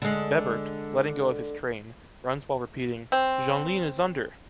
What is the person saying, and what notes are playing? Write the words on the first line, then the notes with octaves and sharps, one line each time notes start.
Bebert, letting go of his train, runs while repeating--- Jeanlin is under!
D3 G#3
C4